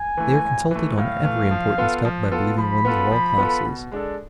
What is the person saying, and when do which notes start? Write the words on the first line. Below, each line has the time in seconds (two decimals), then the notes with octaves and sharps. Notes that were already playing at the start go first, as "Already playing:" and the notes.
They are consulted on every important step by believing ones of all classes.
Already playing: G#5
0.17 E3 A3
0.45 A2
0.71 E3 A3
0.98 A2 F5
1.25 E3 A3
1.51 F3
1.78 B3 F4 A4
2.05 F3
2.31 B3 F4 A4
2.58 F3 B5
2.85 B3 F4 A4
3.11 F3
3.38 B3 F4 A4
3.65 B2
3.92 G#3 D4 A4